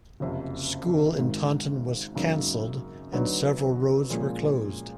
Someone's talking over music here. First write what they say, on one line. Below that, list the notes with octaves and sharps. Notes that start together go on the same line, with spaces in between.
School in Taunton was cancelled, and several roads were closed.
F#1 F2 C3
G#1 G#2 D#3
F#2 C#3 F#3 A#3 D#4
D2 D3 F#3 B3 D#4
A#2 F3 G#3 C#4